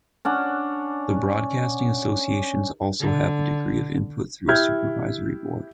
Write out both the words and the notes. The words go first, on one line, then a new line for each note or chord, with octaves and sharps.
The broadcasting associations also have a degree of input through a Supervisory Board.
C#4 D4 F#5
D3
E4 G4 F6 G6 G#6